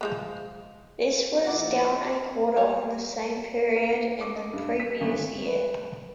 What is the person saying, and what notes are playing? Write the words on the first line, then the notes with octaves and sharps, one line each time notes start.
This was down a quarter on the same period in the previous year.
F3 G#3 B3
A#1 A#3 E4 F4 D5 F#5
G3 G4 C#5
A#4
A#3
D6
D#5
G2
B6
G1
G#1
B4